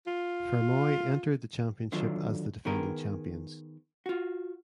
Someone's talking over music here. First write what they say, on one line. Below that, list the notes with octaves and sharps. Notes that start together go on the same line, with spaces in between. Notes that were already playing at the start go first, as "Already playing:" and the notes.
Fermoy entered the championship as the defending champions.
F4
D3 D#3 F#3 F4
D#3 B3 G#4 A#4
F4 F#4